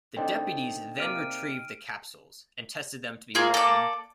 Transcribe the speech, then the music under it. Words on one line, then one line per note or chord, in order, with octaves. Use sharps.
The deputies then retrieved the capsules and tested them to be morphine.
D3 C4 D4 D#4 D#5 G5
C3 A#3 D5 F6 D7 D#7
A#3 F4 G#4
A4 D5